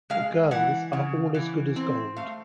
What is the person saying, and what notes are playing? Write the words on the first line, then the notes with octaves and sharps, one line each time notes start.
The girls are all as good as gold.
G#3 F5
E3 F#5
C#3
E3
C4
A3 F5